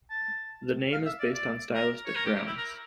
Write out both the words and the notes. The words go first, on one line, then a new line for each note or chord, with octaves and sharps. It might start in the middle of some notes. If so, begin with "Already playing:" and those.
The name is based on stylistic grounds.
A5
F5
E5
D5
D5
A#4
C#5
A#4
G4
G4
E4
A#4